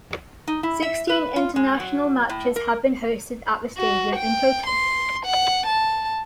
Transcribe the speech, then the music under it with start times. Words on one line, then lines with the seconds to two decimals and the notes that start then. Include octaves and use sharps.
Sixteen international matches have been hosted at the stadium in total.
0.48 D#4
0.63 E4
0.82 E5
1.09 B4
1.36 F4
1.56 G#3
1.80 F#3
2.29 A2
2.56 A#4
3.78 F#4
4.16 G5
4.66 C6
5.25 F#5
5.67 A5